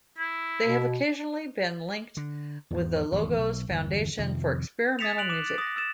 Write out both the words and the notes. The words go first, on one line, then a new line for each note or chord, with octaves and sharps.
They have occasionally been linked with the Logos Foundation for experimental music.
E4
B2
D3
E2 G#2
G#1 E2 B2
B1
G1 E2
F2 C3 D#3 F3
D#6 A6 B6 C#7 E7 F7
F#6 D7 F7 F#7
D6 F#6 E7
A6 D7
D#6 A#6
E6 A6 E7